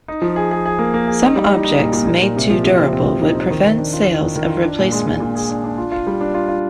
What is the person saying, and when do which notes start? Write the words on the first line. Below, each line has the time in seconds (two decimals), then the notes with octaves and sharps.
Some objects made too durable would prevent sales of replacements.
0.08 D#4
0.22 F3
0.36 G#4
0.51 G#4
0.66 G#4
0.79 A#3
0.94 A#3
1.07 G#4
1.22 D#4
1.36 G3
1.51 D#4
1.64 D#4
1.79 A#2
1.93 A#2
2.07 A#2
2.21 A#2
2.36 C3
2.50 F3
2.64 C3
2.79 C4
2.93 C4
3.07 F3
3.22 D#4
3.35 C4
3.50 D#3
3.64 D#3
3.78 D4
3.93 F4
4.07 D4
4.21 D#3
4.36 D#3
4.49 F4
4.63 D4
4.79 A#2
4.92 G#3
5.06 G#3
5.20 A#2
5.35 G#4
5.49 D4
5.64 D4
5.78 F4
5.92 F4
6.07 G3
6.21 D4
6.34 F4
6.48 F4